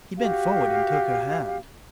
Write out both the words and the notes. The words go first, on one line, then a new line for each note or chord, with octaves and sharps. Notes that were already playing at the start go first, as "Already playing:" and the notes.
He bent forward and took her hand.
F#4 G4 F5